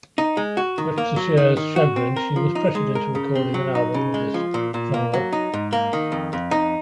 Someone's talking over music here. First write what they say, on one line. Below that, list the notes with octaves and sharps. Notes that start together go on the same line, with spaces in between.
Much to Cher's chagrin, she was pressured into recording an album of this genre.
D#4
G#3
F#4
D#3
A#3
F#3
D#3
D#3
F#4
C4
A#4
F3
D#4
G#3
A#4
C#3
C4
F#3
D#4
C#3
G#3
F3
A#2
A#2
A#3
F#3
D#4
G#2
A#3
D#3
F2
F2
D#4